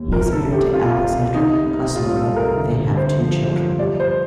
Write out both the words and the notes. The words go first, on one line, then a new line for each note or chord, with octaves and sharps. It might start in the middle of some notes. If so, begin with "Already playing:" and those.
He is married to Alexandra Kozlova, they have two children.
Already playing: D#2
C2 A#4
A4
C3
G4
C3 F4
C2
C3 D#4
C3
C2 F4
A4
C2
A#4
D3
D3
C5
F3
F3
G3 D5
C5